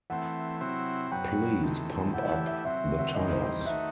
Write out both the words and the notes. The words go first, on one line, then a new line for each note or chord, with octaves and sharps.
Please pump up the tires.
E3 A3 C4 F#5
C3 F#3 C4 E4
F#2 F#3 B3 G5
E2 C3 D#3 A3
E3 A3 E4 G4 F#5
F#5
E5
C3 F#3 C4 E5
E5
E2 D#3 G3 C4 D#5
C5
D#5
D#3 A3 D#4 F#4 E5